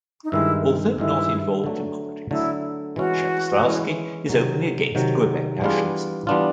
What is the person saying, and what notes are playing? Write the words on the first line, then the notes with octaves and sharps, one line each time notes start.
Although not involved in politics, Jarislowsky is openly against Quebec nationalism.
D#4
G2 D#3 G#3 E4
G2 D#3 G#3 E4
D3 F#3 A3
D3 F#3 A3 E4
E3 G#3 C#4 E4 F#4
E3 G#3 C#4 E4
C3 D#3 F#3
C3 D#3 F#3
E3 G3 B3 D4 F4 G#4
E3 G3 B3 D4 F4 D5